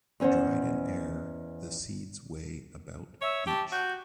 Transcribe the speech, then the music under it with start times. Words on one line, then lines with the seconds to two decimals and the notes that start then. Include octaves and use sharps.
Dried in air, the seeds weigh about each.
0.20 E2 C#4 C5 D#5 F#5
3.22 C#5 E5
3.47 G4 A5
3.72 F#4 G6